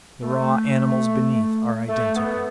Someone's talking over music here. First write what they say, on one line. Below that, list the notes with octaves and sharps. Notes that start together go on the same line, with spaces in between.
The raw animals beneath are identical.
A3
A3
B3